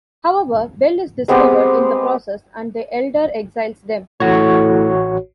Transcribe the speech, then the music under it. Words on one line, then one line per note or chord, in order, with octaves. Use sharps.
However, Bel is discovered in the process, and the elder exiles them.
G#3 B3 C4 G4
A1 A2 F#4 C#5